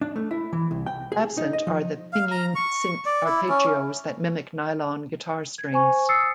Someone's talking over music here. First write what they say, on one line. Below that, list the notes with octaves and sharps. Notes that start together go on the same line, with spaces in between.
Absent are the pinging synth arpeggios that mimic nylon guitar strings.
D4
A3
E4
E3
C2
G5
G#4
D#4
D#5
F3
F5
A#5
C#6
D5
E4
C#4
G#6
C5 G#5 C#6
D#6 E6 A6 C7 C#7